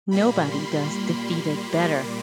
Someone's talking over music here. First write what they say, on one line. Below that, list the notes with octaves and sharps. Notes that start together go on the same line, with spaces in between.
Nobody does defeated better.
A#2 G3 A#3 B5
C6
C6
D6